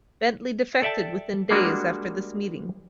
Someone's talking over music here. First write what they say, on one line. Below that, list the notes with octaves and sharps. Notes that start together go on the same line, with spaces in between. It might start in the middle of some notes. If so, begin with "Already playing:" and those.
Bentley defected within days after this meeting.
A4 D5 E5 G5 A5
G3 G#3 A#3 D4 F#4